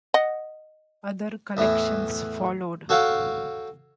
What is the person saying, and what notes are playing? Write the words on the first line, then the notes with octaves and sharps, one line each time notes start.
Other collections followed.
D#5 F#5
E2 A2 E3
F#4 A4 C#5 F5 G5